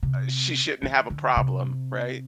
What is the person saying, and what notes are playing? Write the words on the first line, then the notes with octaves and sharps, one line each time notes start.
uh, she shouldn't have a problem, right?
C3
D#3
D3
C3